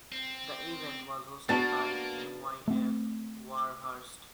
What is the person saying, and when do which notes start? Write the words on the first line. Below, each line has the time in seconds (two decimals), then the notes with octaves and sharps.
The event was hosted by Myf Warhurst.
0.12 C4
1.49 A#3 B3 D4 F#4 A5 A6
2.68 A3 C4